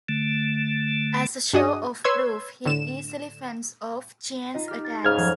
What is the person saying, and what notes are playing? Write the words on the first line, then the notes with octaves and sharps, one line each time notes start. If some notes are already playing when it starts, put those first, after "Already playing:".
As a show of 'proof', he easily fends off Chien's attacks.
D3 A3
G2 D4 F#4 G#4 D#5 D#6
B4 C#5 C6 E6 G#6
A2 D3 E7
D#4 F4 D#5
G4 F6
A6 C#7
G#2 C#3 D#6 F6 F#6 G#6
F2 F3 F#3